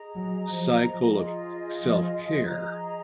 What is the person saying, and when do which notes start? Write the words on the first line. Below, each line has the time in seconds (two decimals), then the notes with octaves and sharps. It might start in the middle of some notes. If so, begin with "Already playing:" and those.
cycle of self-care
Already playing: G#4 D#5 A#5
0.15 F#3
0.48 F3
1.14 F4 G#4 D#5
1.80 F3
2.46 G#4 D#5 A#5